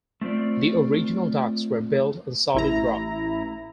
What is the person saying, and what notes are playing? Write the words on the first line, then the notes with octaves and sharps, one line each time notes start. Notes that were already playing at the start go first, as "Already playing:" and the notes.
The original docks were built on solid rock.
A3 C4 F4 C5 D5
A1 E4 A#5